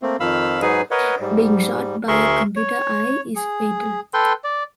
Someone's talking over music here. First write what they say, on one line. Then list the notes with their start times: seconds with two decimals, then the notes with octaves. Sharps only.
Being shot by a computer eye is fatal.
0.02 A3 A#3 C4
0.20 F2 D#3 F3 F5 B5 E6
0.62 G#2 F#3 D#4 G#4 B4 G#5
0.91 A#4 B4 C#5 D#5 F#5
1.20 G#2 G3
2.08 D2 G#4 A#4 E5 C6 C#6
2.56 C#5
3.36 G#4
4.14 A4 B4 G5 C6
4.44 D5